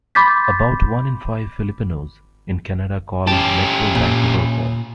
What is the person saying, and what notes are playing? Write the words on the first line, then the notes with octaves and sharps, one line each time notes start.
About one in five Filipinos in Canada call Metro Vancouver home.
B5 C6 D6 G6 A6 B6
C#4 G4 A5
A#2